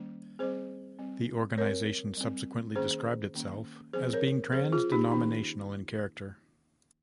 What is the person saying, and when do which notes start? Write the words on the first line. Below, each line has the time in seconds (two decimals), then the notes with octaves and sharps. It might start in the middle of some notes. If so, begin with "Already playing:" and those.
The organization subsequently described itself as being trans-denominational in character.
Already playing: D#3 G3 A#3 C#4
0.39 G3 C4 G#4 C5
0.99 G3 C4
1.58 G3 C4 A#4 C#5
2.17 G3 C4
2.76 D#3 A#3 C#4 G#4 C5
3.35 D#3 A#3 C#4
3.93 F3 C4 G#4 C5
4.13 A#4 C#5
4.52 F3 C4 G#4 C5
4.73 F4 G#4
4.92 D#4 G4
5.12 D#3 A#3 C#4 D#4